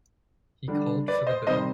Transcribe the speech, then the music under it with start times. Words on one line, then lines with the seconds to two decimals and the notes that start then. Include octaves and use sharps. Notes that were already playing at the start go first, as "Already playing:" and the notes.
He called for the bill.
0.68 D3 G3 D4
1.08 B4 D5
1.27 C5 D#5
1.47 C3 D#3 G3 C5 D#5